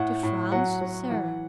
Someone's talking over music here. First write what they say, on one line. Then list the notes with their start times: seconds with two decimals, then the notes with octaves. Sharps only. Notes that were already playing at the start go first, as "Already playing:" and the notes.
"To France, sir?"
Already playing: A2 F#5
0.23 A2
0.52 F#3 F#5
0.81 F#3
1.11 E3 F#5